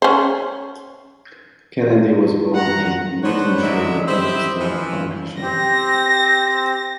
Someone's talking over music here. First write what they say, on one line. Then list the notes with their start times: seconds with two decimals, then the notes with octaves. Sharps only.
Kennedy was born in Wythenshawe, Manchester, Lancashire.
0.02 C#4 C5
1.90 F4
2.55 F#5 A#5
3.23 B3 D4 C5 C#5 F#5
3.62 D3 F#3 G#3 D5 E5
4.06 E4 G4 C5 D#5 E5
4.59 E3 F3
5.42 C4 G4 A#6